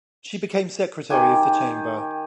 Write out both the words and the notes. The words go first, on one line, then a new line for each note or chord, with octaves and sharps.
She became secretary of the Chamber.
D#3 G4 G#5